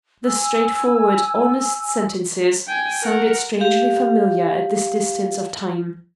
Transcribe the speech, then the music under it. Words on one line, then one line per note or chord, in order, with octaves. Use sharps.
The straightforward, honest sentences sounded strangely familiar at this distance of time.
G#5 E6
G5 G#5
A#4 F#5
G4 F5